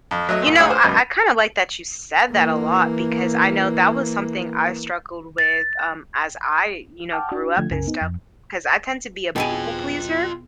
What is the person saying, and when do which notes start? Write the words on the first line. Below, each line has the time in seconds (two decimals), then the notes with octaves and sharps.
You know, I I kinda like that you said that a lot, because I know that was something I struggled with, um, as I, you know, grew up and stuff, 'cause I tend to be a people pleaser.
0.11 F2
0.29 F#3 A3 D#5
0.42 C2 A#2
0.59 D2 F4 G#4 C#5 F5 D#6
0.70 C5
0.84 C#2 F#2 B2
2.31 E3 A#3
5.38 A6
7.11 F#5 G5 A5 D6 F6 G6
7.32 D4 F#4
7.56 D3 F3 A3 G#6
7.71 C2 F#2 C#3 A#4 G#5
7.87 B3 D#4
8.01 F2
9.36 B2 E4 F4 G#4 G5